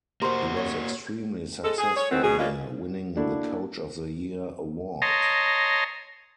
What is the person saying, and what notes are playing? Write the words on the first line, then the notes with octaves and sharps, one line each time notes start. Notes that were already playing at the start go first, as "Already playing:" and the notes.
He was extremely successful here, winning the "Coach of the Year" award.
A#3 F#4 G4 A#4 C5 C6
C#4 C#5
G#3 A4
G#4
C#5
D#3 E3 B3 C4
B2 G#4
G3 G#3 A#3 C#4 F4
A#3 D4 E4 F#4 A4
C#5 D#5 A5 A#5 C6